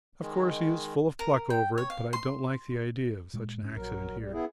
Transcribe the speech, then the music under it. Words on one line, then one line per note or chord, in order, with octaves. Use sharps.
Of course, he is full of pluck over it, but I don't like the idea of such an accident here.
D#3 G#3
A#4
G5
C#5
F5
C6
A#2 G#3
G#2 C#4
A#1 F#3 A#4
G3
B3 E4 G#4